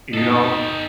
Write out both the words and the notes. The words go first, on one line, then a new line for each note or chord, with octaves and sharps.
you know,
D#4 G4 A4